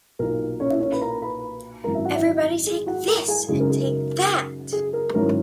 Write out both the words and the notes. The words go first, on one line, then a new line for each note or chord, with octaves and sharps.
Everybody take this, and take that.
B1 A#2 A#3 D#4 A#4
C#4 C#5
E4 E5
C#4 C#5
B4 B5
A#4 A#5
B4 B5
G#1 F#2 E3 G#3 A#4 A#5
E4 E5
F#4 F#5
E4 E5
D#4 D#5
G#4
F#4 F#5
A#4 A#5
G#4 G#5
F#2 C#3 G#3 D#4 G#4
A#4
G#4
A#4
G#4
A#4
G#2 D#3 F#3 C#4 E4 A#4